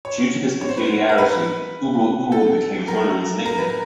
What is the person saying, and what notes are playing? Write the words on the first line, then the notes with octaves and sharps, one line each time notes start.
Due to this peculiarity, "Ubbo Ubbo" became Hornung's nickname.
C#5
C#5
C5
B4
C5
A#4
B4
A4
A#4
A#4
B4
A#4